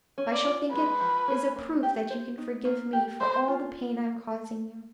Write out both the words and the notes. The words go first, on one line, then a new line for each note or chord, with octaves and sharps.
I shall think it is a proof that you can forgive me for all the pain I am causing you.
C#4
D5
F4
G#3 B4
F3
C#4
A#3
G4
C5
D#4
A#3
G4
A3 C5
F4